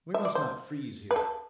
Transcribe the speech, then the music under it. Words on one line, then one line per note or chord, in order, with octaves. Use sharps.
"We must not freeze here."
E5
D5
C5
B4
A4